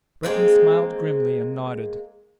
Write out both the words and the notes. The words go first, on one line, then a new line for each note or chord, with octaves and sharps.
Breton smiled grimly and nodded.
G#3 A#3 C4